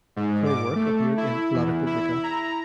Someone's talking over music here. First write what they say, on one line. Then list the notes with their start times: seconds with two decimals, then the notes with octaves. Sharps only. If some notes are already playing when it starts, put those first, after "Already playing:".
Her work appeared in "la Repubblica".
0.16 G#2
0.45 D6
0.76 A3
1.17 E4
1.54 E2
1.86 E4
2.23 A#5